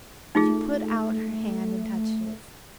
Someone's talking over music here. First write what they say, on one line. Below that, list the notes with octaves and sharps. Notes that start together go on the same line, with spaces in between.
She put out her hand and touched his.
A3 D#4 F4 G#4